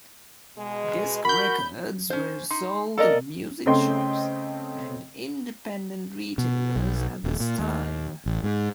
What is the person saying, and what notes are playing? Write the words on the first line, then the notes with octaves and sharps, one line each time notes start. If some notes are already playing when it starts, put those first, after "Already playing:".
Disc records were sold in music shops and independent retailers at this time.
B2 G#3
F#4 A#4 B5 G6
C#4 C5
D#4 C6
A#3 A4 A#4 D5 D#5
C#3 A3 C4 D#5 G5 C6
B2
B1
D#1
A#2
D#2
A1
G#2